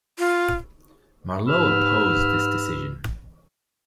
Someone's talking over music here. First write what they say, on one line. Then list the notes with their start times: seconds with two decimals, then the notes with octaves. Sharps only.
Marleau opposed this decision.
0.19 F4
1.47 G#2 G4 B4 B5 E6 F6